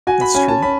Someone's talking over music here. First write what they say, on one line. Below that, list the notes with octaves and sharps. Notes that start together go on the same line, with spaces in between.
That's true.
F#4 G#5
B5
C#4 G#5
A5
C#4 B5